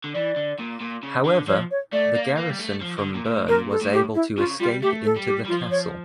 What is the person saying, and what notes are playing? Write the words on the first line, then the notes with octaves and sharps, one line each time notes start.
However, the garrison from Bern was able to escape into the castle.
D3
E3 D5
D3
A#2
A#2
C#3
D3
F3 C#5
C#5
A3 D5
A#3
A#3
G3
A3
F3
D3
A#2
A#2
A2
A#2 A#4
A4
A2
G4
E4
C#3 F4
G3 F4
A3 G4
A4
G3
G4
G3
F3 F4
C#5